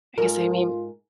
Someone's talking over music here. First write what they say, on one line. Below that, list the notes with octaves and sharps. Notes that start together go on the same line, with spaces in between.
guess I mean
G#2 F4 A#4